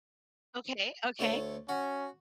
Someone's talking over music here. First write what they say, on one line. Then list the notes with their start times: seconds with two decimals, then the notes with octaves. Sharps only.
Okay, okay.
1.19 D2 A3 C#5
1.69 C#4 F#4